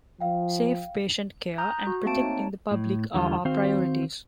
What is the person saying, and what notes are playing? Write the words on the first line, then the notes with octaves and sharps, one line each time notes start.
Safe patient care and protecting the public are our priorities.
F3 F5 G5
A#5 D#6 F#6 G6
F#4
A3 A#3 C4 C5 A5 D7
D#4 C#5 A5
A2
E2 D3 G3 F4
D#3 C4 F#4 C5 F5